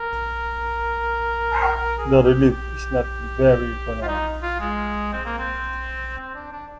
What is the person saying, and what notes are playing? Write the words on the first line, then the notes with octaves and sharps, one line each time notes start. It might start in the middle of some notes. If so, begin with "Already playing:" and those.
The relief is not very pronounced.
Already playing: A#4
G#4
G4
G4
G4
F4
D#4
F4
G#3
C4
A#3
C4
C4
D4
D4